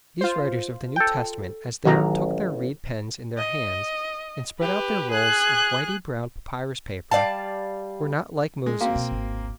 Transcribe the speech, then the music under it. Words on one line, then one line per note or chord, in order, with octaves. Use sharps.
These writers of the New Testament as they took their reed pens in their hands, and spread out their rolls of whitey-brown papyrus-paper, were not like Moses.
F4 C5
A4 G5
A1 D#3 F#3 A#5
D#5
G4 B4
G#4 F#6
G3 D5 F5 A5
G#3
A#3 C4 F#4 F5 G5
B2
D1 G#1